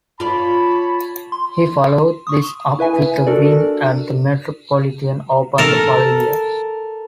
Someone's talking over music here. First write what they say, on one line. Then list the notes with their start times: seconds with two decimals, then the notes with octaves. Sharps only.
He followed this up with a win at the Metropolitan Open the following year.
0.20 F4 C#5 D5 A5 B5
1.32 C6
2.27 C#6 D#6
2.79 E4 B4 E5 G#5
3.27 D4 F#4 A4 A#4 D5
5.58 A4 A#4